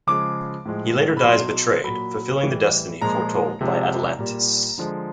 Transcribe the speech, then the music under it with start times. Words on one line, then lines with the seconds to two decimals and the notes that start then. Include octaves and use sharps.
He later dies betrayed fulfilling the destiny foretold by Atlantes.
0.07 C#3 F3 G#3 D6
0.66 A2 F3 G#3
1.17 B5
1.24 B2 F#3 C6
1.84 A#2 F#3 B5
2.43 A2 E3 G3
3.01 A#2 F3 G#3 A#5
3.61 C3 F3 G#3
4.19 A#2 G3
4.78 D3 F3 G#3